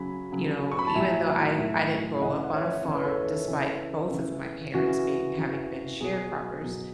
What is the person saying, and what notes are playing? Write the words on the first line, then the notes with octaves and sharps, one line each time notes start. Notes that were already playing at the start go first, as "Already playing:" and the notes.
you know, even though I I didn't grow up on a farm despite both of my parents being having been sharecroppers,
Already playing: C#3 F#3 G#5 B5
C#3 F#3
C#6
B5
A5
A2 F#3 E5 G#5
A2 F#3
C#3 E3 D#5 F#5
F#5
C#5 E5
C#3 E3 C#5
B4
A4 C#5
C#3 E3
C#3 E3
C#3 E3 F#4
C#3 E3
B2 F#3 G#4
B2 F#3